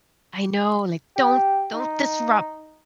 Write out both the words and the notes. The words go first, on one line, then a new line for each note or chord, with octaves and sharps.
I know, like, don't don't disrupt
G4
D#4